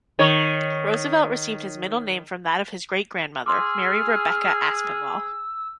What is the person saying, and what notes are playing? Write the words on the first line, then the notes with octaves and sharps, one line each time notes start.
Roosevelt received his middle name from that of his great-grandmother, Mary Rebecca Aspinwall.
D#3 C#5
G#4 C6 D6 E6 F6